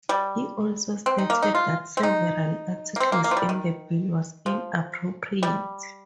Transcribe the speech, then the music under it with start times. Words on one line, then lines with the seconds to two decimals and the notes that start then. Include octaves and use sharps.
He also stated that several articles in the bill was inappropriate.
0.09 G3
1.06 C4
1.18 D#4
1.30 A#3
1.42 D#4
1.55 F4
1.97 C4
2.03 D#4
2.96 A#3
3.00 C4
3.12 A#3
3.24 A#3
3.31 F3
3.37 G3
3.49 D#3
4.46 F3
5.43 G3